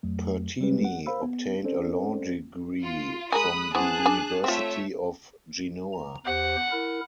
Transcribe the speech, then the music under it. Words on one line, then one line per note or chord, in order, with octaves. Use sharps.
Pertini obtained a Law degree from the University of Genoa.
F2 F#3 A3
G3 G#3 C4 G4 B4
F#5
A#4 C5 F5 B5 E6
B3
C4 C#4 A4 C5 D5
F4
G#3 A#4 G#5 B5 D#6 F#6
E3 B3 G#4 C5 A5 F#6
D4 G#5
A3 C4 F4 C#5 E5
A#5
E2 G4 C5 F#5
E4 A#4